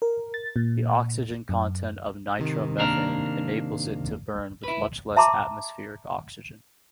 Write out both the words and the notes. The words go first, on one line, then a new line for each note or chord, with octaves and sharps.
The oxygen content of nitromethane enables it to burn with much less atmospheric oxygen.
A#4
A6
A#2
F#2
G#2 C3 D#3
A#3 D4 A#4
E4 B4
E5 A5 A#5 C6 D6